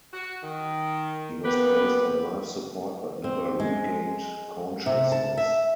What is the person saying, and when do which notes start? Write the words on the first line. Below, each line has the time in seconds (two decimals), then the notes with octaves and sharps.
He was placed on life support, but never regained consciousness.
0.13 F#4
0.43 D#3
1.44 A#3 B3 G4 B4
3.24 C4
3.60 G#3
4.86 C3
5.12 A5
5.38 E5